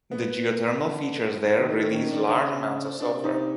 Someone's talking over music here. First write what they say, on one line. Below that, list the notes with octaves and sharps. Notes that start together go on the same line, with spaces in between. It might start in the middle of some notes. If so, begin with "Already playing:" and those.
The geothermal features there release large amounts of sulfur.
B3
D3
D#3 C4
C4
D#3 C#4
D4
C#3 D4
C3 D4
D#4